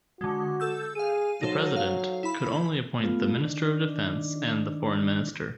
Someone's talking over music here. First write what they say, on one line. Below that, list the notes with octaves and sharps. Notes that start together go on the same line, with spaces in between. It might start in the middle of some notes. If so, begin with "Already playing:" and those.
The President could only appoint the Minister of Defence and Foreign Minister.
D3 G#3 F#4
A4 E6 G6
G#4 F5 D#7
F#3 D#4 A4 C5
F5
E4 B5
A3 B3 F4
D#3 D4